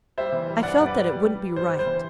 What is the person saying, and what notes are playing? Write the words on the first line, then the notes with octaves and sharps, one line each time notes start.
I felt that it wouldn't be right.
G3 C5 E5
E3
G3
G2 D5 F#5
G2
B4 D5
G3
G3
G3
G3
G2 C5
G3
C5
E3